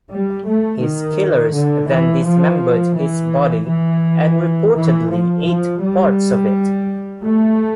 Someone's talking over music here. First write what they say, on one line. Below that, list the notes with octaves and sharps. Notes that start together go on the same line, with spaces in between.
His killers then dismembered his body and reportedly ate parts of it.
G3
A3
D#3
D3
E3
F3
E3
E3
E3
F3
F3
G3
A3